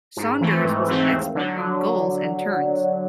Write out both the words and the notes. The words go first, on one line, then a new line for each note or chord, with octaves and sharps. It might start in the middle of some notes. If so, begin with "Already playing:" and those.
Saunders was an expert on gulls and terns.
G#2
E3 A3 C4
G#2
E3 A3 C4
D#2
D3 F#3